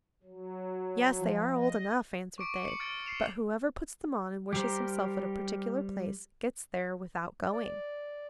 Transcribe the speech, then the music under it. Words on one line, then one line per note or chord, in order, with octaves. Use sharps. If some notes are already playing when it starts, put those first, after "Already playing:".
'Yes, they are old enough,' answered they; 'but whoever puts them on and wishes himself at a particular place, gets there without going.'
F#3
F3
D#5
C#6 D6 D7
C#7 F#7
F6 A6 D7
C7 E7 F7
G3 G4 A#4 C5
D5